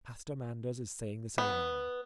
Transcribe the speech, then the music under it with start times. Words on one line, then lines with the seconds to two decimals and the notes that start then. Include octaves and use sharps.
Pastor Manders is saying the ceremony.
1.38 B3